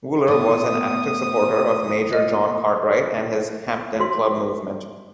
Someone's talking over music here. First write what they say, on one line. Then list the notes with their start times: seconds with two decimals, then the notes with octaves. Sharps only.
Wooler was an active supporter of Major John Cartwright and his Hampden Club movement.
0.28 A2 B3 D#6
2.13 D#5
4.00 F#4 E5 C6